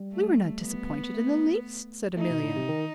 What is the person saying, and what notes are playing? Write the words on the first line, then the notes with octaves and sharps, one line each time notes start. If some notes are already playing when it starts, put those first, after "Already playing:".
"We were not disappointed in the least," said Amelia.
Already playing: G3
A3
B3
A3
A3 D#4
B2
A2
C3
D#3